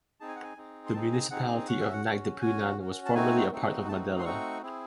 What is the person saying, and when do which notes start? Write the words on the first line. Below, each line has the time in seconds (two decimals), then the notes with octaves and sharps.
The Municipality of Nagtipunan was formerly a part of Maddela.
0.20 C4 D#4 G#4 A5
0.28 G#5
0.36 F#5
0.43 G#5
0.57 C4 D#4 G#4
0.86 C6
0.94 C4 D#4 G#4 A5
1.12 G#5
1.31 C4 D#4 G#4 F#5
1.68 C#4 F#4 F#5
1.81 E5
1.93 F#5
2.05 C#4 F#4
2.41 C#4 F#4 G#5
2.78 C#4 F#4
3.06 A5
3.15 A3 C4 D#4 F#4 G#5
3.51 A3 C4 D#4 F#4
3.88 A3 C4 D#4 F#4 A5
4.19 C6
4.25 A3 C4 D#4 F#4 C#6
4.62 C4 E4 G#4